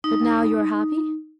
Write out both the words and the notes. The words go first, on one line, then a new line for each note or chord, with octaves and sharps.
"But now you are happy?"
D#4